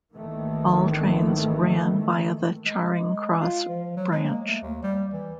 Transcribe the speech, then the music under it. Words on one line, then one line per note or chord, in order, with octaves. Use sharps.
All trains ran via the Charing Cross branch.
G#1 D#3 E3 A3 A#3
G#3
F4
F3
F#3
G#3
A#3
A3
D#2
G3
E3